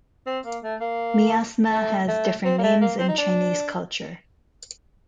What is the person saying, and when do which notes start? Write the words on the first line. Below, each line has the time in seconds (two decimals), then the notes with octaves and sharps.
Miasma has different names in Chinese culture.
0.26 C4
0.45 A#3
0.63 A3
0.81 A#3
1.72 A3
2.08 A3
2.45 C4
2.58 A#3
2.63 A3
2.81 A#3
2.99 C4
3.09 D#4
3.18 D4